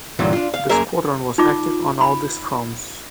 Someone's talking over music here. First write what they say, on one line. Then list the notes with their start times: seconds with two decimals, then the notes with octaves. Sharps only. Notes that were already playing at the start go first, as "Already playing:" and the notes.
The Squadron was active on all these fronts.
0.19 G2 A#2 D3 E3 F#3
0.33 D4 F4
0.54 F5
0.69 F#2 A#3 G#4 A#4 E5
1.38 D#4 F4 D6
2.01 B5